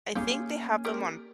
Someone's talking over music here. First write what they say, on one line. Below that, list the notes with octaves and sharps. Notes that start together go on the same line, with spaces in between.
I think they have them on
A#3 C#4 D#4 F4 G4 G#4
G4 A#4 D5